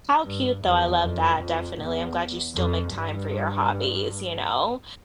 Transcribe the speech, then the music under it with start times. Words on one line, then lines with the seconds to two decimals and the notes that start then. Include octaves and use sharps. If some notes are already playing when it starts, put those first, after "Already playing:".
How cute, though, I love that. Definitely. I'm glad you still make time for your hobbies, you know?
0.24 G2
0.63 E2
1.02 F2
1.40 F2
1.78 E2
2.55 F2
2.93 G2